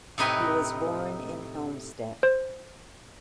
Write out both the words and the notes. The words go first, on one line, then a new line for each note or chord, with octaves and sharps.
He was born in Helmstedt.
A2 C3 D#4 B4 G#5
C5